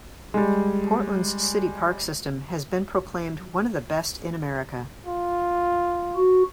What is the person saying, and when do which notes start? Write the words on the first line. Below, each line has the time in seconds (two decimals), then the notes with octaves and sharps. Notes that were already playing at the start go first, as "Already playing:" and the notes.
Portland's city park system has been proclaimed one of the best in America.
0.34 G3 G#3
5.07 F4
6.17 F#4